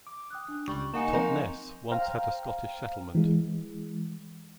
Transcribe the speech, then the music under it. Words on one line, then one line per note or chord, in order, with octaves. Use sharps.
Totness once had a Scottish settlement.
D6
G5 D#6 F#6
D4
C#2 G3 C#6
A#3 D#4 D#5 F#5 G#5 C#6 C#7 E7
F3 C4 A#4
C5 F5 G5 A#5 F6
E3 G#3